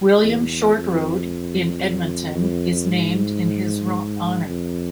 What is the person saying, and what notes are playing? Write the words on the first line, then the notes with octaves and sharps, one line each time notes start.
William Short Road in Edmonton is named in his honour.
E2
F2
F2
G#2
F2